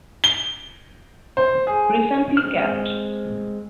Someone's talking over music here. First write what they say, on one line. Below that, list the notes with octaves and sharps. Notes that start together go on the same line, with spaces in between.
Recently Capt.
G7
C5
G#4
G#3 C4 F6